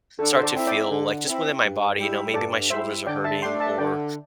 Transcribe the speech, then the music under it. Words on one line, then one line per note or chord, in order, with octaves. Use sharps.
start to feel, like, just within my body; you know, maybe my shoulders are hurting or
D3 A4
C5
A4 D5
C4 E4
D5 G5
D3
C4 E4
G2
G3 E4
G2 A4 D5
G3 E4 C5 E5
D3 D5 G5
E5 A5
A3 D4 G5 C6
E5 A5
D3 D5 G5